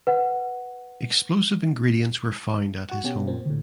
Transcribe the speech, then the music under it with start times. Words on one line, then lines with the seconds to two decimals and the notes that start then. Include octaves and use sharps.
Explosive ingredients were found at his home.
0.07 B4 F#5
2.90 F#4 F#5
3.04 B2 C#4 G4
3.27 A#2 C4
3.46 D2 A2